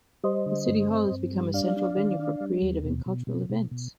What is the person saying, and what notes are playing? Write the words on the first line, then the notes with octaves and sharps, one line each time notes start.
The City Hall has become a central venue for creative and cultural events.
G3 C5 D#5
D3
G2
C4
G2
G3
D4 D5 F5
D4
D#3
D4
G3
D#2
B2
B2
B2
B2
B2